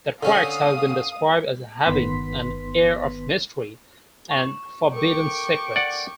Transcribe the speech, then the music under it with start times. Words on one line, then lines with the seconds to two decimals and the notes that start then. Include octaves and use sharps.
The tracks have been described as having an "air of mystery and forbidden secrets".
0.23 D3 C#4 F5 D#6
1.85 G1 D#3 B3 B4 C6 B6
4.31 C#6 E7
4.94 A4 A#4 G5 C#6 D6
5.76 D5 F#5